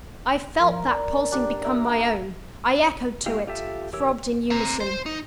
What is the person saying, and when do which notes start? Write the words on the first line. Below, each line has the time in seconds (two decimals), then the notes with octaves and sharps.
I felt that pulsing become my own; I echoed to it; throbbed in unison.
0.60 F3 A#4
0.87 D5
1.32 D4 G4
1.65 A#4 E5
1.85 B3 A5
3.26 G#3 A#3 E4 G4 F5
3.47 F4 G4 A4 E5
3.93 E3 G4 A#4 C#5 E6
4.51 C4 A#5
4.80 C5
5.06 D#4